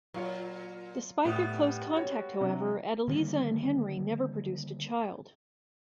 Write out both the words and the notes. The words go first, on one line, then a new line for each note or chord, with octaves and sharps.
Despite their close contact, however, Adeliza and Henry never produced a child.
A#2 F#3 F4 C#5
A2 G3 B3 D#6
F#4 C#5
C3 F#3 D4
D3 D#3 G3 A#3